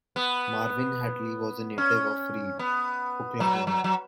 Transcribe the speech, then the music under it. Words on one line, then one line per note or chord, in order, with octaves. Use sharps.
Marvin Hatley was a native of Reed, Oklahoma.
B3
C#4
B3
F#3
F#3
F#3